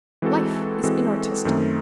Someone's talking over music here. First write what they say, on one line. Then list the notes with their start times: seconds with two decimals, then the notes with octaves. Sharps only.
Life is inartistic.
0.22 E3 G#3 C4 F#4 A4
0.83 E3 G#3 C4 F#4 A4
1.45 F#2 D#3 A3 C4